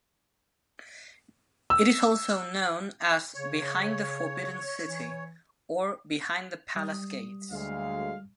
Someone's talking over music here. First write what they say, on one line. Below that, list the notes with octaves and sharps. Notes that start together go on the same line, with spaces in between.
It is also known as "Behind the Forbidden City" or "Behind the Palace Gates".
E6
C#3 C#5
E3
G3 D#6
D2 G#3 F5